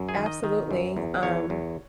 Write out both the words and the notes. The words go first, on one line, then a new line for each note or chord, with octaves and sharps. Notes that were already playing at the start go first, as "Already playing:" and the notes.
Absolutely. Um,
Already playing: F#2
G#4
D#3
D#5
D#3
F#2
E2
E2 C#5
E2